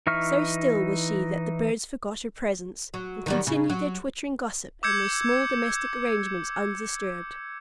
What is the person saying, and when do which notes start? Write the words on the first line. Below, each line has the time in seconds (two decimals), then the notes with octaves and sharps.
So still was she that the birds forgot her presence, and continued their twittering gossip and their small domestic arrangements undisturbed.
0.07 E3 D#4 E5 C#6 F6
2.94 F#3
3.26 D#3 F#3 G3
3.47 C#3
3.70 F#3
4.83 D6 E6 G6 G#6 C#7